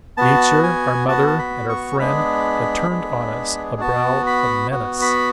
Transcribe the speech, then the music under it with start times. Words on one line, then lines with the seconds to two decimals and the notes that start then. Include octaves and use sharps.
Nature, our mother, and our friend, had turned on us a brow of menace.
0.17 B3 F#4 A5
0.63 G#5
1.08 B3 F#4 A5
1.27 A5
1.39 B5
1.69 C#6
2.00 G#3 B3 D4 G#4 B5
2.90 G#3 B3 D4 G#4
3.80 B3 F#4 A5
4.27 B5
4.71 B3 F#4
5.02 B5